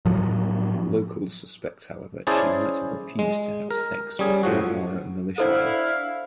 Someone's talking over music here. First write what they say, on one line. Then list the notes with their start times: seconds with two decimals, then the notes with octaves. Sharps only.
Locals suspect however she might have refused to have sex with Amhara militiamen.
0.05 A2 F3 F#3
2.27 C#4 E4 G#4 C5 D5 A5
3.19 G#3
3.71 A#4
4.19 G3 C#4 G#4
4.43 A2 F3 F#4
5.38 D4 E4 A4 C5 F5 F#5